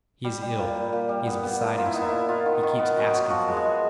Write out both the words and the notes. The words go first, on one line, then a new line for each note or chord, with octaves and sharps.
He is ill, he is beside himself, he keeps asking for you.
G3
G3
A#2
A#2
A#2
G3
B3
B3
A#2
A#2 F4
E4
B3 D#4
E4
A#2
B3 F4
D#3
D#3
B3
F#3
F#3
F3 F#4
G#3
G#4
G#3